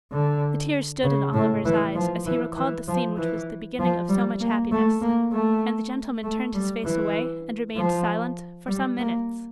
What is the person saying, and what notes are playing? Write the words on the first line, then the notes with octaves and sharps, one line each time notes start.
The tears stood in Oliver's eyes as he recalled the scene which was the beginning of so much happiness; and the gentleman turned his face away, and remained silent, for some minutes.
D3
C#3
A2
E3
F3
E3
E3
F3
E3
F3
G3
A#3
A3
A#3
A3
A3
G3
E3
F3
G3
A#3